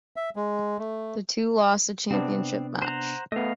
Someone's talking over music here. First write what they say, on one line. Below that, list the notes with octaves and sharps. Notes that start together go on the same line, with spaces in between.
The two lost the championship match.
E5
G#3
A3
C3 B3 C4 D4
C5 F#5 A#5
A3 B3 D#5 F5